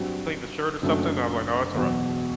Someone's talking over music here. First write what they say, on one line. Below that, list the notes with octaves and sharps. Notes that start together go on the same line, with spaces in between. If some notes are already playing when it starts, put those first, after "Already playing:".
clean the shirt or something?" I was like, "No, it's alright."
Already playing: G2 F#3 C4 F#4
F#1 F#2 F#3 A3 D4
E1 E2 B2 F#3